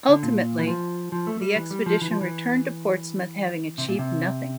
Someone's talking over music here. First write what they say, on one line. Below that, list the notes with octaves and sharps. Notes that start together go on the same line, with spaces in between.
Ultimately the expedition returned to Portsmouth having achieved nothing.
D3
A#2
E3
F3
F3
A3
G3
E3
G3
F3
E3
F3
E3
C3
A#2
C3